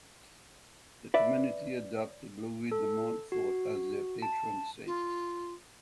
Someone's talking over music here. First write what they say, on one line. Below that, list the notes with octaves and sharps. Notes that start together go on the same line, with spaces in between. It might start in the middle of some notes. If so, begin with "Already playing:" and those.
The community adopted Louis de Montfort as their patron saint.
B4 D5 E5
A4
F#4
A5
F4